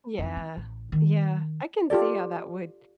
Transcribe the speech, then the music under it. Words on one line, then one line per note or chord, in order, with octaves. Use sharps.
Yeah. Yeah. I can see how that would
F2 D#4
E4
A1
D#3
F4 G4 A4 D5